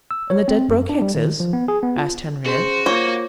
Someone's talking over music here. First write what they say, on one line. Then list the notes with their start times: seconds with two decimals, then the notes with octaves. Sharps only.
"And the Dedbroke-Hickses?" asked Henriette.
0.11 E6
0.30 C#5
0.48 C4
0.68 F#2
0.89 D4
1.02 G3
1.15 D#3
1.40 F3
1.53 B3
1.68 G#4
1.83 B3
1.97 F4
2.46 C#4 F#4 G#4 C5
2.86 A#3 F4 C5 C#5